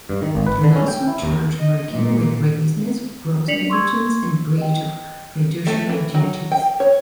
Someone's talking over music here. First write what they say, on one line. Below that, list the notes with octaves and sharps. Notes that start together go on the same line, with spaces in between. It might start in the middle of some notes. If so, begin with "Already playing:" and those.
The lawsuit charged Merkin with recklessness, gross negligence and breach of fiduciary duties.
G2
D#3
G#1
B4
D3
C#4
G5
E4
D#2
D#5
A#2
D4 D5 B6 C#7 F7 F#7
C6 C#6 E6 G#6
D#5 G5
A3
E3
F#3
G5
C#5